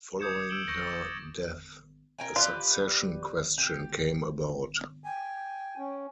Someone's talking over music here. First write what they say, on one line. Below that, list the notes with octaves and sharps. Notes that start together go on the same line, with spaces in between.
Following her death, a succession question came about.
D6 D#6 G6 G#6 C#7 E7
D6
E6 G6 D7 E7 F#7 G7
C#6 G6 A#6 C#7
A6
A#4 G5 G#5
F4 G4 B4 D5
G4
G5 G#5
C#4